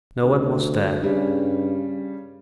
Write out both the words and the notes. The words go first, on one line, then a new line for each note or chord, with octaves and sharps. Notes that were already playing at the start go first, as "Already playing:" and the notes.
No one was there.
D2
G2 C#3 G3 C#4